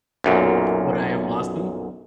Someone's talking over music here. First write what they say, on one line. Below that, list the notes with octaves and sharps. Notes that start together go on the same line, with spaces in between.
Would I have lost them?
B1 F#2 A#2